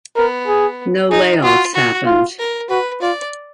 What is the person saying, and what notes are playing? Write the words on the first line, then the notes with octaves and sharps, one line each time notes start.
No layoffs happened.
B3 A#4
G#4
D#4 G#4
F4 F#4
F#4
F4
A#4
F#4 B4
F4 D5